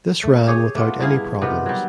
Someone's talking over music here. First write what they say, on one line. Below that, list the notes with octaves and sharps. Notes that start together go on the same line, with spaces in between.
This ran without any problems.
A3
G4 G#4 C#5
A3 B3 D4 F4
G2 E4 G#4 F5
C3 D#3 B3 F4
F#3 G3